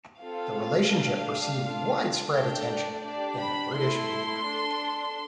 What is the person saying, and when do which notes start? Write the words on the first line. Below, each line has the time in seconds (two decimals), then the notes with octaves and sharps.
The relationship received widespread attention in the British media.
0.21 C4 F4 A4 F5
0.92 A3 D4 G4
1.62 D4 F4 A4
2.33 A3 D4 A4 G5
2.68 D5
3.03 D4 G4 D5
3.39 B5
3.74 A3 E4 A4 C6
4.44 D4 A4